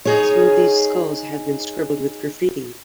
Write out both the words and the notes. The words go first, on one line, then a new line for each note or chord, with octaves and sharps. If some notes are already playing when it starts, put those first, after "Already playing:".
Some of these skulls have been scribbled with graffiti.
D#4 G#4 C#5